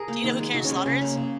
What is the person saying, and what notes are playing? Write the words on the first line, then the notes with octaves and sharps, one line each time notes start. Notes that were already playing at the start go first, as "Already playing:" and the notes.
Do you know who Karen Slaughter is?
Already playing: G#4 A#4
A#3
D#3
G#3
D#3 F#4
C#4
G#3
C#4
C#3 C#4
A#3
C#3